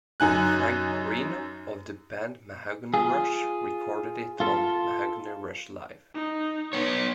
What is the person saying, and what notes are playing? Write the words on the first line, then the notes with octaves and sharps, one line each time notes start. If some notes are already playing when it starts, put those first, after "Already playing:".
Frank Marino, of the band Mahogany Rush, recorded it on "Mahogany Rush Live".
F#2 D#4 G#5 F#6
F4 G#4
F4 A4
D#4
B3 C#5